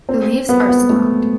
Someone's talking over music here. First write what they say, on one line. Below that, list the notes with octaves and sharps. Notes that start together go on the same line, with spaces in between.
The leaves are stalked.
C4
B3
B3
A3